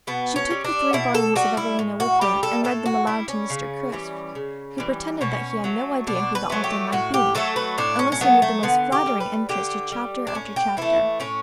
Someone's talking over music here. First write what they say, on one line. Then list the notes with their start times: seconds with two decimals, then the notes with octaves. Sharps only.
She took the three volumes of "Evelina" with her, and read them aloud to Mr. Crisp, who pretended that he had no idea who the author might be and listened with the most flattering interest to chapter after chapter.
0.07 B2 B3
0.36 C#4
0.50 G3
0.65 D4
0.93 B2 E4
1.15 A4
1.36 G3 F#4
1.57 E4
1.79 A2
2.00 F#4
2.21 G3 G4
2.43 A4
2.64 A2 A4
2.86 F#4
3.07 G3 E4
3.28 C#4
3.50 C#3
3.92 E3 G3
4.35 C#3
4.78 E3 G3
5.21 B2 C#4
5.64 F#3 A3
6.07 B2 D4
6.35 B4
6.50 F#3 A3
6.64 G4
6.92 A2 F#4
7.14 G4
7.35 F#3 A3 A4
7.56 B4
7.78 A2 D4
7.99 C#4
8.12 C#4
8.21 F#3 A3 B3
8.42 A3
8.63 D3 B3
8.92 G4
9.06 G3
9.20 B4
9.49 D3 G4
9.92 G3
10.27 D4
10.35 A2 C#4
10.56 G4
10.77 E3 A3 E4
11.20 A2 C#4